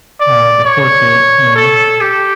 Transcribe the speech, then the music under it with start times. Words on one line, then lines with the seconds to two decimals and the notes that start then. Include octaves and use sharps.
uh, the portrait mode,
0.20 D5
0.65 C#5
1.56 A4
2.01 G4